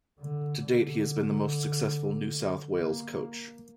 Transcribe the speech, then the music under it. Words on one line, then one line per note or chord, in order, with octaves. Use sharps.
To date, he has been the most successful New South Wales coach.
D3
D3
A#3